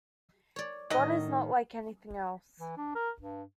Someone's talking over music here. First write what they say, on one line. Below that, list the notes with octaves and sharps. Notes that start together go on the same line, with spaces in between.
God is not like anything else.
C#5 D5
A2 D#3 F#3 D#4 D#5
E3
D4
A#4
G2